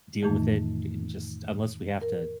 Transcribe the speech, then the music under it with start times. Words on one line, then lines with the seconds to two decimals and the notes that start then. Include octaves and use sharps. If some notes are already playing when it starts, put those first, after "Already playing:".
deal with it and just unless we have to,
0.22 F2 A2 D#3 E3 A3 D#4
2.02 A#4